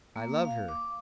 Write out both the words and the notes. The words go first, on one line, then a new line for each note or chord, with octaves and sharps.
I love her.
A#3
F5
D6